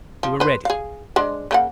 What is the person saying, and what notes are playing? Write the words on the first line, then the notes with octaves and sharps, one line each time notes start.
We were ready.
F3
B4 C5
G#4 F5
G#3 D4 C5
C#3 A#3 F#5